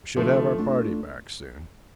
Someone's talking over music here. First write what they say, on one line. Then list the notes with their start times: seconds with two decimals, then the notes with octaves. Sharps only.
We should have our party back soon.
0.16 D3 F3 A3
0.58 A3 D4 F4 A4